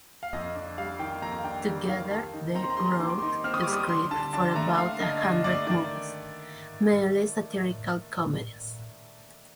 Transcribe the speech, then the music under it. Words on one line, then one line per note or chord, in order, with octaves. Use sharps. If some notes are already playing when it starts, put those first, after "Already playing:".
Together, they wrote the script for about a hundred movies, mainly satirical comedies.
F5
F2 D#5
D4
G3 F5
D#3 G5
F2 A#5
F5
D4 G5
G3
D#3 F5
D#3 A5
D#4
C4 A#5
C6
A#5
G3 C6
A#5
D#3 C6
D6
C6
D#4
C4 F6
D#6
G3 D6
D#6
D3 C6
D3 A5
D4 A5
A3 A#5
D3 F5
D3 D#5
D4 D#5
A3 D5
D#3 D5